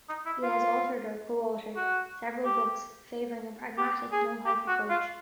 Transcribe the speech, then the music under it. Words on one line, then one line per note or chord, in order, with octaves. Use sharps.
He has authored or co-authored several books, favoring a pragmatic, no-hype approach.
D#4
E4
F4
F#4
G4
G4
G#4
G4
F#4
F4